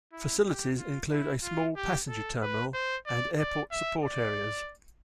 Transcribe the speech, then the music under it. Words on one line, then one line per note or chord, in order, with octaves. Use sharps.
Facilities include a small passenger terminal and airport support areas.
E4
G4
F4
E4
F4
G4
A4
B4
C5
D5
D5
E5
D5